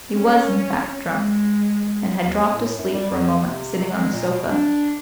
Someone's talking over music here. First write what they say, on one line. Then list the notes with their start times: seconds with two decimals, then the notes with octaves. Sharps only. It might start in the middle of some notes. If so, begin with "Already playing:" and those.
He was, in fact, drunk, and had dropped asleep for a moment, sitting on the sofa.
0.15 C#4
1.13 G#3
2.22 D#2
2.53 A2
2.77 F#2
2.93 G3
3.11 F2
3.46 C3
3.89 G#3
4.13 A#2
4.28 B2
4.50 D4